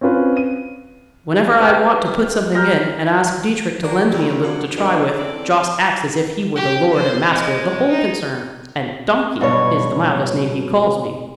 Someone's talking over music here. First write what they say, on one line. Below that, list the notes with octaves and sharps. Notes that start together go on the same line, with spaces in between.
Whenever I want to put something in, and ask Dietrich to lend me a little to try with, Jost acts as if he were the lord and master of the whole concern, and 'donkey' is the mildest name he calls me.
C4 C#4 F4 B4
D#7
B4 E5 G5 F6 G6
A#5 F6 G6 A#6
A#3 D4 G4
D2 C3 A3 E4 A#4 D5
F#2 C#3 F3 A#3 F#4 D5
B2 D#3 D4
E2 C4 C#4 E4 A4 D5
G4
C5
G#3
D#4
G2 B2 F#3 C#5